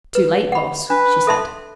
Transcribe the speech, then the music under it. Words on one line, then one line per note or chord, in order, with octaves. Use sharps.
"Too late, Boss," she said.
B4
F#5 B5
D4 B4
A4 E5 A5 C6